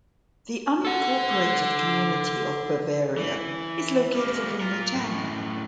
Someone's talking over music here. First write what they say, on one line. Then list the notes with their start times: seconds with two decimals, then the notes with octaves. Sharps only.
The unincorporated community of Bavaria is located in the town.
0.85 A4 F#5
3.18 E3
4.15 G3 A#3
4.61 F4 A#4
4.93 F#2 A2